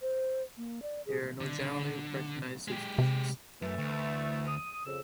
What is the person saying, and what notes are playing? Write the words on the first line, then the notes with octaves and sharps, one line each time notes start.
There are no generally recognised subspecies.
C5
A#3
D5
G#4
D3
G#3 G4
C3
F#2 E3 A3
D2
D#6
F2 C#3 E6